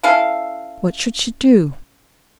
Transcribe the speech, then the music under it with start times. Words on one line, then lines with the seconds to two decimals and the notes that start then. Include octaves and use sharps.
What should she do?
0.03 C#4 E4 A4 F5